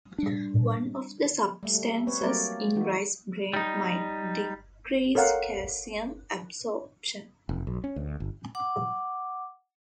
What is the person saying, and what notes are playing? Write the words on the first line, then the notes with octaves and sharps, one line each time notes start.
One of the substances in rice bran might decrease calcium absorption.
G3 D4
G3 A3
A3
C4 B4 C#5
F#3 G3 A3 A#3 A#4 D5
E3 D#4 F#4
G3 D#4
A4 A#4 C#5 F5 F#5 A#5
F1
B1
C#4
D2
G1
F#5 D6